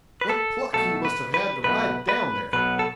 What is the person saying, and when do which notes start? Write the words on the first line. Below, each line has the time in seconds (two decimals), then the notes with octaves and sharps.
What pluck he must have had to ride down there!'
0.21 B4
0.29 A4
0.74 B1 B2 A3 A4
1.05 B4
1.34 B4
1.64 B1 B2 A3 B4
2.09 B4
2.53 B1 B2 F#3 B3 B4
2.79 A4